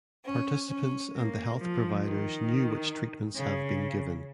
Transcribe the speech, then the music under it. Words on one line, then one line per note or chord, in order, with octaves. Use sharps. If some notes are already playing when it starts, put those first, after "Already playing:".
Participants and the health providers knew which treatments have been given.
C#4
C#4
A#3
F3
D#3
C#3